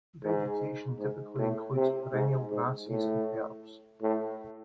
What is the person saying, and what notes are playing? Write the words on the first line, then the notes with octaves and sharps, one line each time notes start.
Vegetation typically includes perennial grasses and herbs.
G#2
G#2
A2
C3
G#2
G#2
A2
A2